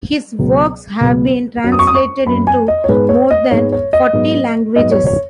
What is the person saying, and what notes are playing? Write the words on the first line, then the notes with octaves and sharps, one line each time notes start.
His works have been translated into more than forty languages.
C#2 B2 F#3 B3
C#2 B2 F#3 B3
F#2 F#3 B3
D#6
C#6
D#6
C#6
F#2 F#3 B3 B5
G#5
D#5
C#5
G#2 G#3 B3 B4
C#5
D#5
G#2 G#3 B3 C#5
C#5
D#5
G#2 F#3 B3
G#2 F#3 B3 D#5
C#5
C#5